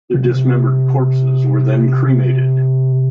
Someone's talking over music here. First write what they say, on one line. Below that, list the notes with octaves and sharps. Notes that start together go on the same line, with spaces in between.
Their dismembered corpses were then cremated.
C3